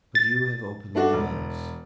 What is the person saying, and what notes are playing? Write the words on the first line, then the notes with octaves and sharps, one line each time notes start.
But you have opened my eyes.
A6
A3 D4 F#4
E1